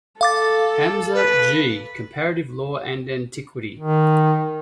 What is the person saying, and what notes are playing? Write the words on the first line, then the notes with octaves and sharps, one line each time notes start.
Hamza, G., Comparative Law and Antiquity.
A4 F5 D6 A6
B4
D#3